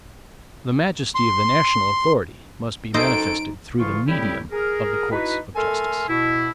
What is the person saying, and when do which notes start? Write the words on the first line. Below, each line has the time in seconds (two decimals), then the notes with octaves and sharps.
The majesty of the national authority must be manifested through the medium of the courts of justice.
1.15 C6
2.94 F#2 D#4 A4 C5 D#5 D7
3.79 D2 C#3 E3 E4 F4 C#6
4.08 A2 C#3 G3 C4 E4 G4
4.52 G#4 A#4
5.11 D#4 E4 F#4 B4
5.56 A3 A4 A#4 G#5 C6 F6
6.08 B2 E4